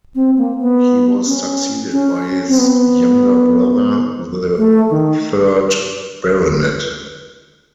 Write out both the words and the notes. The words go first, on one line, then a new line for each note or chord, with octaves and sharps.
He was succeeded by his younger brother, the third Baronet.
C4
A#3
B3
C#4
C#4
C4
B3
A3
D#3